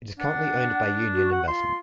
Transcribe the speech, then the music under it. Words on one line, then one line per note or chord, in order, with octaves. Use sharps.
It is currently owned by Union Investment.
D4 F#5
F#4
F#5
F4 C6